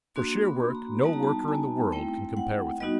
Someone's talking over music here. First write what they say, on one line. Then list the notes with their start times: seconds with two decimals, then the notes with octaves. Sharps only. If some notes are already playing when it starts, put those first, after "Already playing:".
For sheer work no worker in the world can compare with him.
0.16 A#3 D4 F#4 C6
0.45 B5
0.75 A#5
1.04 G3 B3 D#4 F#4 A5
1.13 A#5
1.23 A5
1.48 G#5
1.92 A3 C4 E4 G5
2.37 F#5
2.80 G3 B3 D#4 F#4 D#5